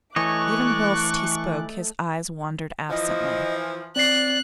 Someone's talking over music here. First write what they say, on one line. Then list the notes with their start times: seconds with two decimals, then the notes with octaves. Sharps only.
Even whilst he spoke his eyes wandered absently.
0.16 E3 A3 C#5 D#5 C#6 D6 F#6
2.90 E3 F3 D#5
3.96 C4 D5 F#6 C7